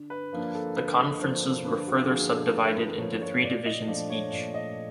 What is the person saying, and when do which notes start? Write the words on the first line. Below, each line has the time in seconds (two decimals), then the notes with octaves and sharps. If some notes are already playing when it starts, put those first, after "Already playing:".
The conferences were further subdivided into three divisions each.
Already playing: D3
0.10 B4
0.33 F3 A#3 D4
0.55 A4
0.76 D3 B4
1.22 F3 A#3 D4 C5
1.65 D3 B4
1.87 F#4
2.10 F3 A#3 D4 G#4
2.32 A4
2.54 D3 A#4
2.76 B4
2.98 F3 A#3 D4 C#5
3.22 C#5
3.43 A#2 D5
3.66 D#5
3.87 F3 A3 D4 D5
4.10 C#5
4.32 A#2 D5
4.54 D#5